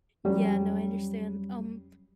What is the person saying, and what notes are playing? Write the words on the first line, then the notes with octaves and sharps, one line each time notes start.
Yeah, no, I understand. Um,
F2 F#3 G3 C#4